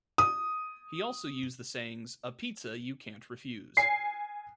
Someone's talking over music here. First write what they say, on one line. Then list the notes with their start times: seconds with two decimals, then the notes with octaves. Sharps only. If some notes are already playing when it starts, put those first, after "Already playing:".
He also used the sayings A pizza you can't refuse!
0.18 D#6
3.77 G#5 C7